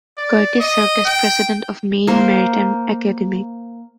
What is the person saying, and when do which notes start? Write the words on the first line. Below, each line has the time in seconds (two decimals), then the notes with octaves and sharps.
Curtis served as President of Maine Maritime Academy.
0.17 D5
0.60 D#5
1.05 G5
2.07 A#3 A#4 C5